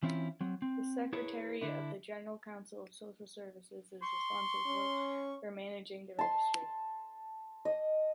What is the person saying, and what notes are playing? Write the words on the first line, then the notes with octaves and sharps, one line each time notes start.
The secretariat of the General Council of Social Services is responsible for managing the registry.
E3 C4 C#4 E4 F4
F#3 C4
C4
E4 G#4 A#4 B4 C#5
D3 D4 E4
C6 C#6
C#4
A5 C6
D#5